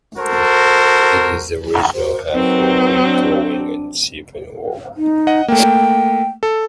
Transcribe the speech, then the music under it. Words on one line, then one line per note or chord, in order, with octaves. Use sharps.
It is the regional hub for wheat growing and sheep and wool.
F#4 A4 A#4 C5
F#4 A#4 C5
F#3 C4 D#4 A#4 B4
D4
D#4
D#5 F#5
A3 A#3 G5
A4